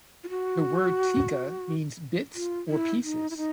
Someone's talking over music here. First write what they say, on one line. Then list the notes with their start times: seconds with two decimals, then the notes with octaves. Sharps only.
The word "tikka" means "bits" or "pieces".
0.24 F4
0.30 F#4
2.35 F4
2.69 E4
3.03 D#4
3.31 E4
3.37 D#4